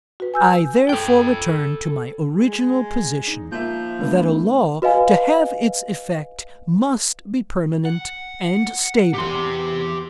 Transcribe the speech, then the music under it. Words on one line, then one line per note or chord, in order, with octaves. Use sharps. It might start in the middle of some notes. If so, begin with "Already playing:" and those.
'I therefore return to my original position, that a law, to have its effect, must be permanent and stable.
F#4 B4
G#5 E6 G6
A4 G5
G#3
D#4
F3 A#3 A#4 E5
D3 A3 B3
F#4 B4 D#5 F5 G#5
F#5
B1 E2 G4 C6